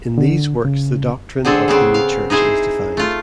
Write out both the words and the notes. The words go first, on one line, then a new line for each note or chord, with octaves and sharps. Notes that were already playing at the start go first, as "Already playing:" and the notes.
In these works the doctrine of The New Church is defined.
D3
C#3
D3 C4 G#4 A4
C#3 B3 C4
F5
D#4 E4 G#4 C5
A3 F4